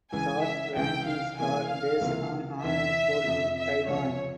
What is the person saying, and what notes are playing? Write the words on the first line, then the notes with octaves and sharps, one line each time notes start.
Chart rankings are based on online poll in Taiwan.
C#2 C#3 E3 G#3 G#5
E5
C#2 C3 E3 G#3 G5
F5
C3 E3 A#3 G#5
F5
C#2 C3 E3 A#3 F4
E2 C3 E3 E5
F2 C3 F3
E5
C#2 C3 F3 C#5